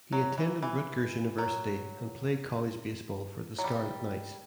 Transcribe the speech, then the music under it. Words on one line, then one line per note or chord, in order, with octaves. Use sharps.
He attended Rutgers University and played college baseball for the Scarlet Knights.
F#3
E3
E3
F#3
F#3
G3